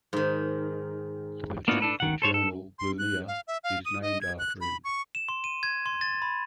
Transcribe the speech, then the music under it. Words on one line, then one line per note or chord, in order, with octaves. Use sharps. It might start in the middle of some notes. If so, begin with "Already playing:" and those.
The botanical journal "Blumea" is named after him.
G#2 D#3
A#3 B3 D4 F4 F#4
D4 A4 B4
D#3 F#5
A4 C5 C#5
A4
C6
F#6
F5
E5
F5
D#6
D#5
G#6
F#6
B5
C#6
E7
C6
D#7
G#6
C6
A6
B5